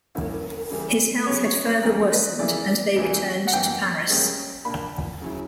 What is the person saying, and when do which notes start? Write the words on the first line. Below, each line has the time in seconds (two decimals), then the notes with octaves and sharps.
His health had further worsened and they returned to Paris.
0.15 G2 D3 A#3 C#4 E4
0.70 C#3 E3 G3
1.26 D2 C#3 F#3 C#4 C#5
1.45 C#5
1.65 B4
1.83 C#2 C#3 E3 G3 A#4
2.12 B4
2.39 C#3 E3 A#3 E4 D5
2.96 C#2 C#3 E3 A#3
3.47 F#5
3.52 F#2 E3 B3 G5
4.09 C#2 C#3 G3 A#3 C#4
4.65 A#2 A#3 D4 B5
5.21 C#3 F#3 C#4 E4